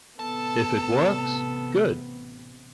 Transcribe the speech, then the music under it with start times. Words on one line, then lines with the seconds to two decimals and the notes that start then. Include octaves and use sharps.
If it works - good.
0.19 A1 C3 B3 A4 A5